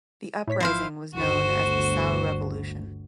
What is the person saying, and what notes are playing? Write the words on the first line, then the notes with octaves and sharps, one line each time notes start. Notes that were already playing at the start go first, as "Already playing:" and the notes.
The uprising was known as the Saur Revolution.
A2 C#5 B6
G#1 F3 E4 C5 F5 C7
G1 D2 F#4 C5